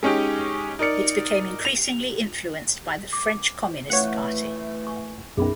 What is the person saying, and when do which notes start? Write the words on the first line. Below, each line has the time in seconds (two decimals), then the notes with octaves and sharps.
It became increasingly influenced by the French Communist Party.
0.03 G#3 C#4 D#4 G4
0.79 D#4 A#4 D5 C#7
1.65 F7
3.13 D6
3.90 E3 A3 C#4 C#5 F5 F#5
4.87 G#5 C#6
5.37 B1 F#2 D#3 B3 C#4 G#4 E5 B5